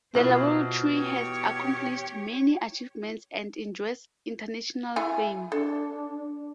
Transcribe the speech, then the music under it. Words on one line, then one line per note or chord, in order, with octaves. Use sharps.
The Laboratory has accomplished many achievements and enjoys international fame.
B2 E4 F4 B4 C5
G4 C#5
E4 G#5
D4 A4